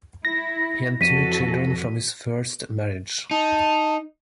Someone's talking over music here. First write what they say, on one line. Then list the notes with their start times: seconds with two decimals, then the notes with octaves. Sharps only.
He had two children from his first marriage.
0.25 E4 A#6
1.01 F2 E3 F#4 A4 B6 D#7
3.31 D#4 A5